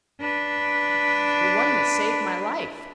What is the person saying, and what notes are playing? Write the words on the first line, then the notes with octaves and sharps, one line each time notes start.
"The one that saved my life."
D4 B4